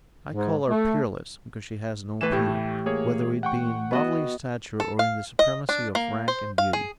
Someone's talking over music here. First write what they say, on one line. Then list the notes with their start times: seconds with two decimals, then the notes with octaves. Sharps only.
I call her peerless because she has no peer, whether it be in bodily stature or in the supremacy of rank and beauty.
0.31 G#2
0.70 A3
2.21 A2 E3 B4 E7
2.32 A2 A3 G4
2.86 A#3 G#4 C#5
3.43 F#5 G5 C#6
3.91 B3 F#4 D#5
4.80 A4
4.99 F5
5.39 D#5
5.69 D4
5.95 A#3
6.28 C5
6.58 F5
6.73 G#4